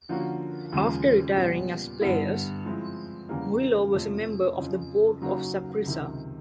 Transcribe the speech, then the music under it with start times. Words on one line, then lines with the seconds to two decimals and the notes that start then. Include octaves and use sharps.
After retiring as a players, Murillo was member of the board of Saprissa.
0.09 D3 F3 A#3 C#4 F#4
0.72 D#2 C#3 F3 G#3
1.37 A#2 G3 B3
2.01 G2 D3 G3 B3 E4
2.65 F3 G#3 C4 E4
3.29 E2 C#3 E3 G3 A#3
3.93 F2 C3 F3 A3 C#4
4.57 F2 C#3 F3
5.22 C#3 F#3 A#3 D#4 F#4
5.85 C#2 C3 D#3